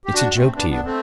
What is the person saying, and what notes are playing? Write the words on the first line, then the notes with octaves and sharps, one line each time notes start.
It's a joke to you.
G4
D4 F#4
A3 C4
B3 D4
B3 D4
A3 C4